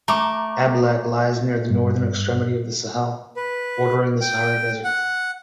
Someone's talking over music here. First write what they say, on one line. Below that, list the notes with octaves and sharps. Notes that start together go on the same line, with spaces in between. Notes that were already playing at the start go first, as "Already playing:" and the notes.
Abalak lies near the northern extremity of the Sahel, bordering the Sahara desert.
A3 A#5 D6
G2
B4
G5
F#5